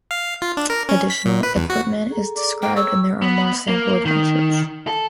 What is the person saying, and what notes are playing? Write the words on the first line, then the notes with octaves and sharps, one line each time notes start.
Additional equipment is described and there are more sample adventures.
F5
F4
D4
A#4
C#4
B6
A#2
B4
E2
F#4
G#4 A4 A#5
D5
A#3 G5
C#5 E6
B3
A#3
D#3
A4